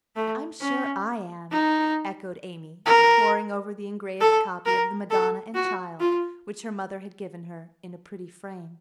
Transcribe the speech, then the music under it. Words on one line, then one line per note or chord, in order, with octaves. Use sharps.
"I'm sure I am," echoed Amy, poring over the engraved copy of the Madonna and Child, which her mother had given her in a pretty frame.
A3
C#4
D#4
A#4
A4
A#4
A4
F#4
F4